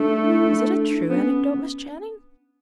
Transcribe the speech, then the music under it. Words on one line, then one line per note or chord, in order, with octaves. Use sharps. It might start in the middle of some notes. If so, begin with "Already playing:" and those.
"Is it a true anecdote, Miss Channing?"
Already playing: A3 D4
E4
D4
D4
B3 C#4